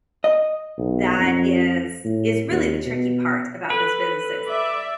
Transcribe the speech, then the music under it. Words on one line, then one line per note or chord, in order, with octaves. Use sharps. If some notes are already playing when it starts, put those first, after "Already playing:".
that is is really the tricky part about this businesses.
D#5
B1
F2
A2
D#2
B2
A4 B4
D5 E5